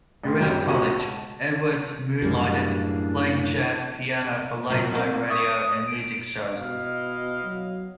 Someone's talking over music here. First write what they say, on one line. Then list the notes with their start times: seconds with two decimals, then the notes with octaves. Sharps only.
Throughout college, Edwards moonlighted, playing jazz piano for late night radio and music shows.
0.24 A1 C6
0.38 F#1 C2 G#2 F#3 G4 G#6
0.65 C#2 B2 F#4 C#6 D#7
0.99 A5
2.22 F#2 A2 C#3 E3 F#3 G3 A#3 D4
4.70 A#2 F#3 A#3
4.95 A#3 C4
5.30 E5 C#6 D#6
5.87 D7
6.56 B2 E4 D#5 F5
7.44 F#3